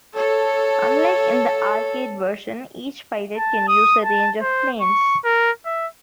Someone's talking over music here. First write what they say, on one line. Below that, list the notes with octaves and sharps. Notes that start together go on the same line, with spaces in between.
Unlike in the arcade version, each pilot can use a range of planes.
A4 C#5
A5
D#6
A5
C5
C#6
A#4
E5